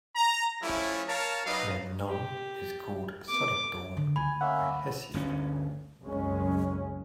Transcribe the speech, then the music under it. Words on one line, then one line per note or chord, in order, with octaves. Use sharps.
Memnon is called "son of Dawn" by Hesiod.
A#5
F3 G3 A3 C#4 E4
A#4 C#5 F5 A5
F#3 G3 D#4 B4 D#5 F5
G4
D6
D3
D2 F4 G#5 B5
A#3 C#4 E5 F#5
G1 D2 C#4
F#1 C2 F#2 C#3 G#3 C#4